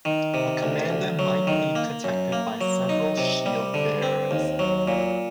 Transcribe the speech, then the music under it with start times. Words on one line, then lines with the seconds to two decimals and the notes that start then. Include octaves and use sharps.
A commander might be protected by several shield bearers.
0.05 D#3
0.34 C3
0.63 D2
0.90 D2
1.19 F#3
1.47 D#3
1.75 A#3
2.04 F#2
2.32 A#3
2.61 F#3
2.89 D#4
3.18 C3
3.46 G3
3.74 D3
4.02 C4
4.31 D#2
4.59 F#3
4.88 A#2